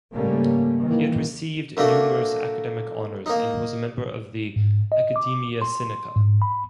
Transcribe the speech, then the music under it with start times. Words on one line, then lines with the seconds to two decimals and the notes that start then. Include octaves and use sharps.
He had received numerous academic honors and was a member of the Academia Sinica.
0.13 G#2 C#3 G3 A3 A#3 C#4
0.81 D#3 E3 A#3
1.77 A3 A#3 D4 F#4
3.26 A#3 D#4
4.56 G#2
4.92 D#5
5.16 D6
5.62 C6
6.16 G#2
6.42 B5